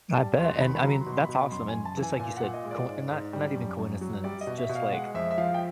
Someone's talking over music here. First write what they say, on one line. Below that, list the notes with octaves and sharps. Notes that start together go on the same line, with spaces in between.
I bet. And, I mean, that's awesome. And just like you said, coin not not even coincidence, just, like,
G3 A5
E2 C6
D#3 B5
B5
F#3 A#5
C6
B2
C6
B5
B2
B5
F#2 C6
G#5
F#2
A5
E3
G#5
A#2 G#5
F#5
A#2
D#5
G#3
D5
G#2
G#2
G3
F#2
F#2
F#3
G3 D5
D#5
B2
E5
B2
F5
G#3 F#5
F2 E5
E5
F3 F5
G5